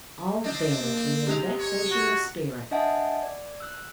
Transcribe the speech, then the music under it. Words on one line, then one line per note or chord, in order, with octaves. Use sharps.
"All vanity; and vexation of spirit!"
C4 D4 D#5
A#3
C3 G#3 G4 F7
C#5
F#4
D4 D#5 E5 F#5 G#5 A5
D5
E6 F#6